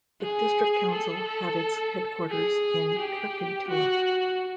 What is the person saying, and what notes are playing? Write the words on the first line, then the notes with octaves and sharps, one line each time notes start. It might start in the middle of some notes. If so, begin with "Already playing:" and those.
The district council had its headquarters in Kirkintilloch.
G#4
A4
G#4
G4
F#4